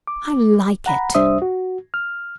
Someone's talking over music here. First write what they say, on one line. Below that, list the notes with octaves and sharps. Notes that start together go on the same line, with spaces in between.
I like it.
D6
F#5 A#5 B5
C2 G3 D4 C5 E5 D#6
F#4
F6